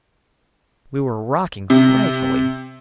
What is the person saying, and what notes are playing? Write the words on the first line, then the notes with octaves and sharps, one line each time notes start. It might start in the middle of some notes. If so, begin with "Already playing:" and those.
We were rocking frightfully.
C3